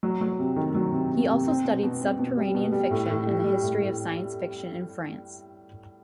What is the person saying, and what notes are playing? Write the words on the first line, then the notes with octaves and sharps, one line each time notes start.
He also studied subterranean fiction and the history of science fiction in France.
F#3
F#3
C3
D#3
F#3
C3
C3
C3
C4
B2
B2
C4
B2
G3
B2
G3
A2
A2
G3
G3
A2
A2